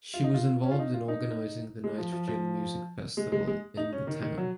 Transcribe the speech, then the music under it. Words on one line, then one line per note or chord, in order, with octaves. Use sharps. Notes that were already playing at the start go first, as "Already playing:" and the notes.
She was involved in organising the Nitrogen music festival in the town.
F4
D#4
F4
C#4
F4
D#4
F4
D#4
G#3
F3
F3
F3
G#3
G#3
G#3
D#4
C#4
D#3
D#3
F#3